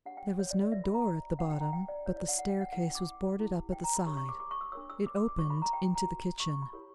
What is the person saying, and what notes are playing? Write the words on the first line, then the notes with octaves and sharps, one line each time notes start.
There was no door at the bottom, but the staircase was boarded up at the side; it opened into the kitchen.
D4 G4 C#5 F#5
G5
C#5
D5
D5
F#4 B4 E5
B5
A#5
C#4 F#4 C#5 F#5
G5
A#5
G5
D5
E4 B4 C#5
D5
F#5
F#5
G5
F#5
C#4 E4 A#4 F#5
G5
D6
E4 G4 B4
G5
A#5
B5
D4 G4 A#4 C#5 C#6
C#6
D6
D6
C#6
E6
D4 A#4 C#5 E6
E6
D6
D6
D6
F#4 C#5 C#6
B5
A#5
G5
A#5
F#4 B4
C#6
C#6
B5
E4 G4 A#4 C#5